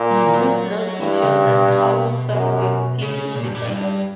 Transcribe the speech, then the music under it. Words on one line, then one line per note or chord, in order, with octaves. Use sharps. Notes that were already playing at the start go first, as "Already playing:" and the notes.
This loss ensured that Hawthorn were playing in the finals.
Already playing: A#2
G3
F#3
E3
F#3
G2 E3
C#3
B2
B2
F#2
C#3
A#2
G2
A#2
G2